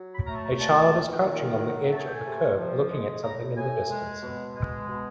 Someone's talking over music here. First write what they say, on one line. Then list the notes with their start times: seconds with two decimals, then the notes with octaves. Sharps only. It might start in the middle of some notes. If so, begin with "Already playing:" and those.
A child is crouching on the edge of a curb looking at something in the distance.
Already playing: F#3
0.13 B5
0.26 A3 A#5
0.36 A5
0.44 A#5
0.59 A#2 A5
0.92 A#2
1.25 D#3
1.59 F#3
1.91 A3 A5
1.98 G#5
2.06 G5
2.13 G#5
2.25 C3
2.58 F3
2.90 G#3
3.23 A2 A#5
3.56 A2 G#5
3.89 G#3
4.22 B2
4.56 G#3
4.88 B2